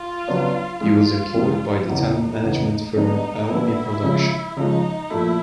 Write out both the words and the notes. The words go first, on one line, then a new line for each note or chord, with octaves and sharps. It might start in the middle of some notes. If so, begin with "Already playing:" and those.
He was employed by the talent management firm Aoni Production.
Already playing: F4
C#3 F#3 B3 D4
G2 E3 G#3 F4
G2 E3 G#3
E2 C#3 E3 D#4
E2 C#3 E3
D3 G3 B3 D#4
D3 G3 B3 E4
C#3 F3 G#3
C#3 F3 G#3 D#4
A#2 F3 A3 E4